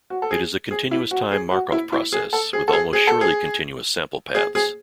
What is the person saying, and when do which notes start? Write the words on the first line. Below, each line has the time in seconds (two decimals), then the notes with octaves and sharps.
It is a continuous-time Markov process with almost surely continuous sample paths.
0.10 F#4
0.22 A4
0.31 G#4
0.71 G#4
0.91 E4
1.11 F#4
1.31 G#4
1.52 F#4
1.72 E4
1.92 E4
2.12 G#4
2.33 A4
2.53 G#4
2.68 A4
2.73 G#4
2.93 G#4
3.07 A4
3.21 G#4
4.35 G#4
4.55 G#4